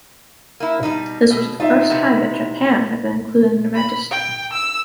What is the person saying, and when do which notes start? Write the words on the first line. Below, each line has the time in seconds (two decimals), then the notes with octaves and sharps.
This was the first time that Japan had been included in the register.
0.60 A#3 E4
0.83 B2 G3 D#4
1.31 B2
1.60 D#4 F4 E5
1.90 C3 E3 B3
3.75 B5
4.11 G5
4.53 E6